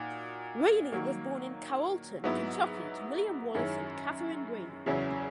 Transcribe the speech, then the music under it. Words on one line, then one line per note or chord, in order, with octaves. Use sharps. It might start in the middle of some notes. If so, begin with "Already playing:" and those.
Raney was born in Carrollton, Kentucky, to William Wallace and Katherine Raney.
Already playing: A#2 D#4 F#4
D#3 F#3 A#3
G#2 F#3 B3 E4
F#2 D#3 G#3 C#4 E4
E2 C#3 F#3 C#4 E4